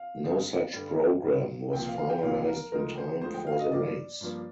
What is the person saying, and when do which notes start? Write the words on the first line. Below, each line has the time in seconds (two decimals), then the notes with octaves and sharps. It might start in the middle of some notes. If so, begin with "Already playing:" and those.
No such program was finalized in time for the race.
Already playing: F5
0.24 G2 D3 G#3 C4 D#4
0.73 G2 D3 G3
1.23 G2 D3 G3
1.73 C2 A#2 F3 A#3 G5
1.85 F5
1.98 F5
2.10 G5
2.23 C2 A#2 F3 A#3 F5
2.48 A#4
2.72 D2 D3 F3 G#3 D#4 A#4
2.98 C5
3.21 D2 D3 F3 G#3 D#4 C5
3.34 G5
3.47 F5
3.59 D#5
3.72 G2 F3 A#3 D4 D5
4.21 G2 F3 A#3 D4